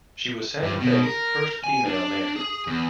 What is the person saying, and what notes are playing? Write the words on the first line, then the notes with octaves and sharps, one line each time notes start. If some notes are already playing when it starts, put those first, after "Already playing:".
She was Santa Fe's first female mayor.
G2
B2
A#4
G#5
D4
G#4
E2